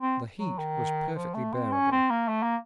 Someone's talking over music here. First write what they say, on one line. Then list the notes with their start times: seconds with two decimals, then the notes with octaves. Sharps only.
The heat was perfectly bearable.
0.01 C4
0.39 F#3
0.58 D#3
1.15 F3
1.34 A3
1.53 C4
1.72 C#4
1.92 C4
2.10 A#3
2.29 A3
2.42 A#3